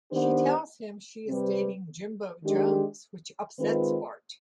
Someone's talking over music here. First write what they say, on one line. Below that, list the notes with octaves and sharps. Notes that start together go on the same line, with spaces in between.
She tells him she is dating Jimbo Jones, which upsets Bart.
D#3 B3 D4 G4 C5
C3 G3 C4 G4 B4
D#3 G#3 D4 G4
D#3 G#3 C4 F4 B4